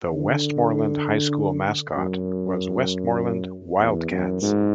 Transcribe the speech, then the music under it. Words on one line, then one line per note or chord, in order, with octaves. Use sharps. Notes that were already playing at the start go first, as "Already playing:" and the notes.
The Westmoreland High School mascot was Westmoreland Wildcats.
D3
F#2
E2
F#2
G#2